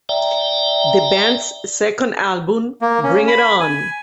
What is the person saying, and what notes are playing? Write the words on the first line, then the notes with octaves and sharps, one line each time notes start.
The band's second album, Bring It On!
D5 E5 G5 A#5
A#3
C#4
B5
G#5